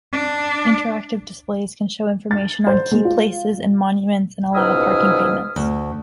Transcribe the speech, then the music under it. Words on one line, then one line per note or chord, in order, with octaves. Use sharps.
Interactive displays can show information on key places and monuments and allow parking payments.
D4
A6
C5
G#3
F4
C#2 G#2 B2 E4 D#6 F6
D2